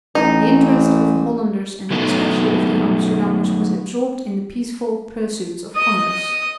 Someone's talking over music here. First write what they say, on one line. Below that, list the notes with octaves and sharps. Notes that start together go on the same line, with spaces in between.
The interest of the Hollanders and especially of the Amsterdammers was absorbed in the peaceful pursuits of commerce.
A1 D#4
F#3 A3 B3 D#4
D#5 D#6